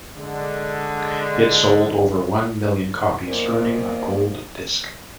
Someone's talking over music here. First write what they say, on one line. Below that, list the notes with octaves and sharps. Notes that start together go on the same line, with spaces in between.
It sold over one million copies, earning a gold disc.
D3 G#3
A#2 D#3 F3 A#3 B3